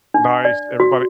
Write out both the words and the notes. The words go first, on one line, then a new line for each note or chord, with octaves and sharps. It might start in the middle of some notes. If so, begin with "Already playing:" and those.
nice. Everybody
D4
D5
F#4